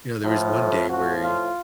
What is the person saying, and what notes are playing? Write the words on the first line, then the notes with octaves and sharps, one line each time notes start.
you know, there was one day where he
A2 F3
A2 F3 F#4
F4